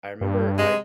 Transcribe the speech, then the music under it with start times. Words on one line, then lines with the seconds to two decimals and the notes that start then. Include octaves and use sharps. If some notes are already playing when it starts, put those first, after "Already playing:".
I remember I
0.21 G2
0.57 C3 G#3